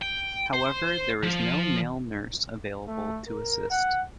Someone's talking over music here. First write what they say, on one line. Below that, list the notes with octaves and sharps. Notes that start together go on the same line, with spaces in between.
However, there was no male nurse available to assist.
G5
C5
F3
A3
A#4
F#5